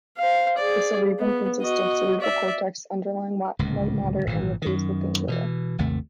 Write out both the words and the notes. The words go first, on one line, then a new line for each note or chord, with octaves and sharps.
The cerebrum consists of the cerebral cortex, underlying white matter, and the basal ganglia.
C5 F5
G#4 D5
B3
F#4 D#5
D5 E5
D1 C#2 A#2
G#1 A#2 E3
F#2 D#3
B2 D#3 E3
G#1 D#2 C3 A3